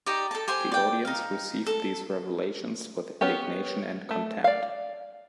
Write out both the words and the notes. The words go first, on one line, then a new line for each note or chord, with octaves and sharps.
The audience received these revelations with indignation and contempt.
D#4 G4 D5
A4 A5
G4 C5 G#5
D5 G5
D#4 F5
A4
B3 C#4 G4
A3
D5 F5